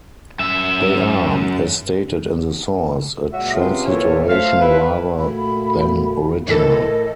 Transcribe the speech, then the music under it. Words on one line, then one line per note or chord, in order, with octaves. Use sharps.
They are, as stated in the source, a transliteration rather than original.
F#2 E5
A#2 F#3 G#3 F#4 E5
C3 B3 C#4 F4 G#4
A#2 E3 A4 C#5
A3 F4 C5 F5
E4 F4 B4
A#2 A3 F#4 B5
A2 E3 A4 A#4 D#5